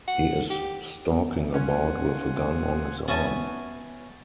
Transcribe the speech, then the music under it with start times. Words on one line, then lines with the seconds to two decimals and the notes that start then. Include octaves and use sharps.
He is stalking about with a gun on his arm.
0.08 F#5
0.50 G4
1.13 B3
1.55 C#4 F4 F#5 G#5
3.08 B3 C#4 F#4 E5 G#5 A5